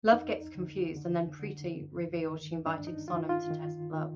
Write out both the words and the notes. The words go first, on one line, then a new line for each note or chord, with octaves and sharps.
Luv gets confused and then Preeti reveals she invited Sonam to test Luv.
F2 D#4
D3
D3
D3
G2
D#3
G2 D4
D#4
D#3 F4
F4
D#3
D#3